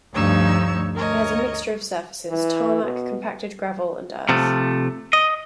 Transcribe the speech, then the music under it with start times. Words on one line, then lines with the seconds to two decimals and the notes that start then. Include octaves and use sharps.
It has a mixture of surfaces; tarmac, compacted gravel, and earth.
0.13 D2 G2 F3 D#4 C#5 E6
0.95 D2 A#4 C#5 D#5
2.30 E3
2.83 B2
4.29 C3 F3 A3
5.13 D#5